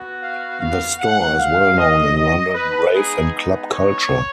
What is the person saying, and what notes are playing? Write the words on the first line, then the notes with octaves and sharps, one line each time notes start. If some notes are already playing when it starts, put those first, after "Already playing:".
The store is well known in London rave and club culture.
Already playing: B3 F#4
F5
F5
F#5
F5
D#5
D#5
B4
G#3 B3 D#4 G#4
C#5